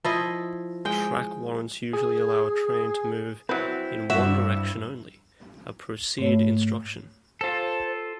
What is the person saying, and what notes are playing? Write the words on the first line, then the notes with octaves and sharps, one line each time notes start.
Track warrants usually allow a train to move in one direction only-a "Proceed" instruction.
F3 E4 D#5
G#3 G5
G#4
F#3 C4 E4 B4
G2 F#4 E5
G#2 A3 C#5
F4 A4 C5